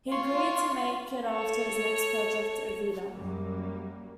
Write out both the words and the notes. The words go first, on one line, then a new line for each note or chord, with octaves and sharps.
He agreed to make it after his next project, "Evita".
F4 C#5 C6
A4 C#5
F#2 F#3 G3 A#3